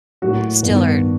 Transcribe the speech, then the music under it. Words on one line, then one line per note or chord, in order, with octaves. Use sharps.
still are
A2 F#3 A#3 F#4
G2 D#3 G3 B3